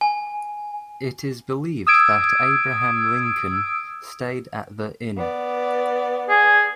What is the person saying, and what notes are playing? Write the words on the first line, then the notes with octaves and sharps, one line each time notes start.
It is believed that Abraham Lincoln stayed at the Inn.
G#5
D#6 E6 G#6 D7
B3 D5
G#4